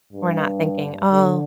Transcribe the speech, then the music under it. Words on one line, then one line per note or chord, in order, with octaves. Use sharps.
we're not thinking, "Oh,
G2
D3